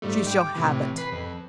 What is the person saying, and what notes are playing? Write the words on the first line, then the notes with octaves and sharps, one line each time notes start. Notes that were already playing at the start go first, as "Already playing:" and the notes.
"She shall have it."
G#2 G3 A3
G5 D6
A2 C3 E3
B4 B6 C7
F2